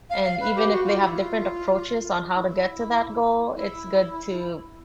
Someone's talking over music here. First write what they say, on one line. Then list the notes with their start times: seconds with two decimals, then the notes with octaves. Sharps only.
and even if they have different approaches on how to get to that goal, it's good to
0.09 F5
0.24 F5
0.40 B4
0.55 G4
0.70 F#4
0.84 F4
1.00 E4
1.14 F4
2.35 E4
3.55 E4